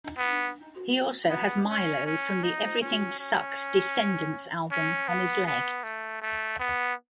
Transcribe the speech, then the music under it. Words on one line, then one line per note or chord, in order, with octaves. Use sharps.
He also has Milo from the "Everything Sucks" Descendants album on his leg.
B3
B3
C#4
C#4
D#4
C#4
C#4
C#4
B3
B3
A3
A3
B3